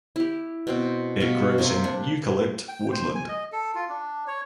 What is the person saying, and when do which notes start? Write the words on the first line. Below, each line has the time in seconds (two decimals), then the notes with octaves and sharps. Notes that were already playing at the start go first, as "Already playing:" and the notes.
It grows in eucalypt woodland.
0.16 E4 G4
0.67 B2 C4 G5
1.20 B2 F5
1.58 C3 A#3 C4
1.84 D4
2.69 G5
2.92 C5
3.15 G#5
3.29 D#5
3.52 A4
3.75 F4
3.89 D4
4.27 C#5